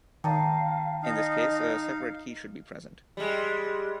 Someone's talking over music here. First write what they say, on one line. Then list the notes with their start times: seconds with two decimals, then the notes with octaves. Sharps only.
In this case, a separate key should be present.
0.24 D#3 F5 G5 A5 A#5
1.03 D#4 D#5 F5
3.17 G3 G#3